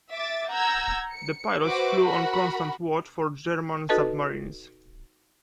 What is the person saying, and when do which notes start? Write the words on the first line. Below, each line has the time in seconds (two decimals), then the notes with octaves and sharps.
The pilots flew on constant watch for German submarines.
0.13 E5 D6 A6
0.50 F#5 A#5 E6 G6 G#6
1.11 C#7
1.65 F#4 B4 C5 E5 D6
2.05 F#4 A#4 F#5 B5
3.89 D#4 F#4 A4 B4 D#5 A5